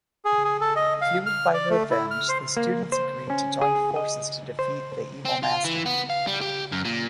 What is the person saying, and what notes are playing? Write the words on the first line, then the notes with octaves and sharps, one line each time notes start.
Fuelled by revenge, the students agree to join forces to defeat the evil master.
G#4
G#4
A4
D#5
F5
F6
D5
A3
E4
F6
C5
A#3
C5
C#4
G#4
D#5
C5
C4
F4
E3
B3
F5
G3
G4
F#2
A#2